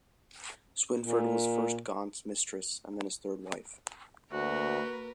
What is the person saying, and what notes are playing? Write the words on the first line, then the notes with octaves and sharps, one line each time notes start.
Swynford was first Gaunt's mistress, and then his third wife.
A#2
D2 A#3 F#4 A#4 B4